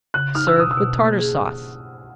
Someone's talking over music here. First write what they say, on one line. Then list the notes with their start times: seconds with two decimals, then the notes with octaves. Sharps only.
Serve with Tartar Sauce.
0.14 C#3 F#6
0.35 D#4 F6
0.47 E6
0.56 B2 D#6
0.71 E6
0.77 B2
0.98 A#3
1.19 G#4